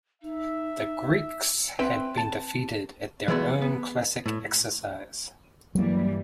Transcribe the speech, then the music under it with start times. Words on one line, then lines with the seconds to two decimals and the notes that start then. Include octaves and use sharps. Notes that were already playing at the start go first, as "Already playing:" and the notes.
The Greeks had been defeated at their own classic exercise.
0.22 D#4 E5
1.79 C4 B4 E5 G5
2.17 A5
3.28 E3 G#3 A3 B3 F4 F#4
3.62 B3
4.26 A2
5.75 G2 E3 F#3 G3 A#3